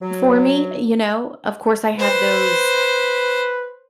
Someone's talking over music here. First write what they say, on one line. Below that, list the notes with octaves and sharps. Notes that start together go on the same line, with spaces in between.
for me, you know? Of course, I have those
F#3
B4 C5